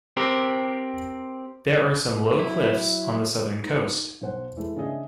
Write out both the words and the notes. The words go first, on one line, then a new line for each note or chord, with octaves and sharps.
There are some low cliffs on the southern coast.
C4 G4 A#4
F#3 E4
D#4
B1 B2 C5 F#5
E3 G#3 A3
C#3 C#4 D4 G#4 D#5 E5